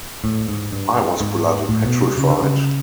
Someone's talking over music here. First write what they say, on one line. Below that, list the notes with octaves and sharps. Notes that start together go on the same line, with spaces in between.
I was bloody petrified.
A2
G#2
G2
G#2
A2
B2
C3
C#3
D3
C#3